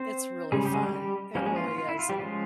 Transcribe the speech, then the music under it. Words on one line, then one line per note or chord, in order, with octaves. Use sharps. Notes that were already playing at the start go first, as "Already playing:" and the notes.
it's really fun, it really is, and
Already playing: C4 C5
C#3 G3 G#3 C#4 G#4
G4
G#3 G#4
G3 G4
G3 G4
F3 G3 A#3 C#4 G4
G#3 G#4
F4
F4
F4
E4
F4
G3 G4
F3 G#3 C#4 F4